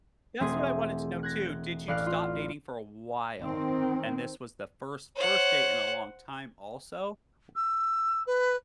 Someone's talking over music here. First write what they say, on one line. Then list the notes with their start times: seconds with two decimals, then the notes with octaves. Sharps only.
That's what I wanted to know too. Did you stop dating for a while, and this was the first first date in a long time also? Wou
0.40 E1 A3 C4 G#4
1.23 F#6 G#6 A#6
1.88 A1 D5 F5 F6 F#6
2.07 F4
3.42 D#3 C4
5.16 C5 C#5 F#5
7.55 E6
8.26 B4